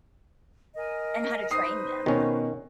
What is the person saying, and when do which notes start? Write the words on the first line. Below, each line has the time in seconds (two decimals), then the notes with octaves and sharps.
And how to train them.
0.75 A#4 D#5 G#5
1.51 D#4 B4 C5 D#6 C7
2.06 B2 D#3 C#4